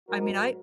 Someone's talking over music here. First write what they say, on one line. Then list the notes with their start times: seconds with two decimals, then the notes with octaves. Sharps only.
I mean, I
0.08 G#2 F#3 F#4 A#4